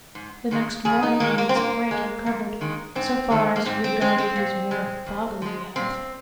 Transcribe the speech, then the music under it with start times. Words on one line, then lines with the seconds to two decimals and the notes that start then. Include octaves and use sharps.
The next morning he was quite recovered, so far as regarded his mere bodily health.
0.15 G#2
0.51 D#3 G#3
0.85 F2 G#4
1.03 D#4
1.20 D#3 G#3 A#3
1.38 A#3
1.49 C4
1.55 A#2 A#3
1.91 G#3
2.26 F2
2.61 D#3 G#3
2.95 G#2 C4
3.30 D#3 G#3
3.56 A#3
3.65 G#2 C4
3.84 C4
4.01 G#3 C4
4.18 C4
4.36 A#2
4.71 G#3
5.06 F2
5.42 F3 G#3
5.76 A#2 C4